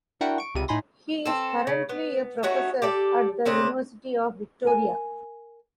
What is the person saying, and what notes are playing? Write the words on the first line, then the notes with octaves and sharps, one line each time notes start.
He is currently a professor at the University of Victoria.
D4 E4 F#4 A#4 F#5 G5
C#6 D7
C#2 C3 G3 D#7
A2 D#4 G#5 B5 C6 A#6
C4 A4
C#3
B3
A3 C#4 D#4 F#4
G4 A4 D5
C#3 C4 D4 D#5
A#4 G#5